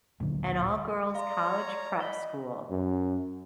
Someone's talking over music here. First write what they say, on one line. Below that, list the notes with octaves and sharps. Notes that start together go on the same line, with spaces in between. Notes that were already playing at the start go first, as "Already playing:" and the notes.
an all-girls college prep school
D1 A#1 D3 F#3
D5 F5 A#5 C6
C#5
D5 D#5 B5
F#2